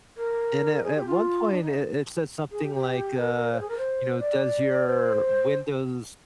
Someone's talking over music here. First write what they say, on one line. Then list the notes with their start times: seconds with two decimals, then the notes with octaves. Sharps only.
and at at one point it it said something like, uh, you know, "Does your Windows,
0.17 A#4
0.83 G#4
0.95 G4
1.06 F4
1.50 D4
1.61 D#4
2.51 G#4
2.63 G4
2.74 G4
3.18 A#4
3.35 A#4
3.52 C5
3.60 G#4
3.69 A#4
3.77 C5
4.19 D5
4.86 C5